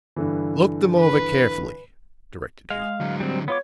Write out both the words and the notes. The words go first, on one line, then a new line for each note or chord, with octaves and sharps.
"Look them over carefully," directed he.
G2 D3 E3
B4
G#3 F5
D3 F#3
G3 C4
B3 F4 C#5 D6